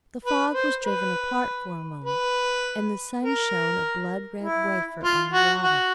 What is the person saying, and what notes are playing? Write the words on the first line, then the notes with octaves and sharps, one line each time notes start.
The fog was driven apart for a moment, and the sun shone, a blood-red wafer, on the water.
B4
C5
B4
B4
A#4
E4
F4
F#4
F#4